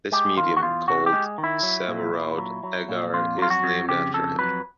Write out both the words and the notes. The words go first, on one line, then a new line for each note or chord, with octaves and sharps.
This medium, called Sabouraud agar is named after him.
G#3 G4
D#3 F4
F#4
E2 F4
C3 F#4
G4
G#3
D#3
E4
F#3
A#2
A#2
F#3
F#3
A#2
F2 F4
F#3 F4
F#4
F2
C#3 G4
F2 A4
F#3 B4